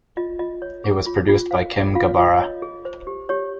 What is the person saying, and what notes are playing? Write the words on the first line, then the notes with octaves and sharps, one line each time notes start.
It was produced by Kim Gabara.
F4 D#5
F4 D#5
C#5
G#4
F4
F4
C5 F5
G#4
F4 F5
F4
C#5 D#5
G#4
C5
G4
G4 C#5